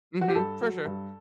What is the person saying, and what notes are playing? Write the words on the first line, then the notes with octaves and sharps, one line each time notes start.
Mhm. For sure.
F#4
G4
G2 A4
F#3
G2